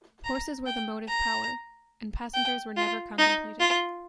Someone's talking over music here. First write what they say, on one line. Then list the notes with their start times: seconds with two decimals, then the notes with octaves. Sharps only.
Horses were the motive power, and passengers were never contemplated.
0.24 A#5
0.66 G5
1.08 A#5
2.34 G5
2.76 F4
3.18 D#4
3.60 F4